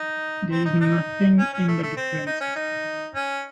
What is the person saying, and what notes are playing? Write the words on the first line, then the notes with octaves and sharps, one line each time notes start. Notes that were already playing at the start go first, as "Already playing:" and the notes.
There is nothing in the differences.
Already playing: D#4
C4
D#4
D#4
C#4
C#4
A3
A3
C4
D#4
C#4
D#4
C#4